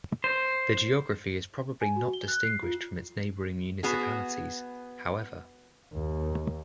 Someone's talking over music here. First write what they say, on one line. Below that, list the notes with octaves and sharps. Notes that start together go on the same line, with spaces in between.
The geography is probably not distinguished from its neighbouring municipalities however.
C5
G#5
F#4
G7
F#6
C7
F4
B3 F#4 G#4
D#2